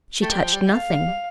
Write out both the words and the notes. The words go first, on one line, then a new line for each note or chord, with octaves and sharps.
She touched nothing.
A3 G5
G3
F3
G3
G3
A3 F5
G3
G3